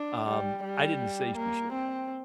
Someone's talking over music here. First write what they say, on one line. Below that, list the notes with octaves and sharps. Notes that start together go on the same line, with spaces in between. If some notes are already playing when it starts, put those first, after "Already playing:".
um, I didn't say she should have.
Already playing: D4
G3
G3
A#3
C4